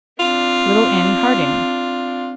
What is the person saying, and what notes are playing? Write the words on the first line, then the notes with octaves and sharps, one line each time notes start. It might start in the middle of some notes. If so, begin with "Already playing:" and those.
"Little Annie Harding."
C4 D4 F4